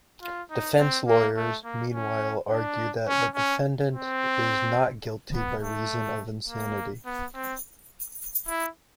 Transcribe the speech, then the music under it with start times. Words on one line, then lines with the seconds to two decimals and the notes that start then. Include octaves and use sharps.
Defense lawyers, meanwhile, argue that the defendant is not guilty by reason of insanity.
0.23 F4
0.51 D#4
0.79 C4
1.08 A#3
1.37 A3
1.65 A#3
1.93 C#4
2.51 D4
3.08 C#4
3.35 C#4
3.92 C4
5.35 B3
5.63 A3
6.49 A#3
7.06 B3
7.34 C4
8.48 E4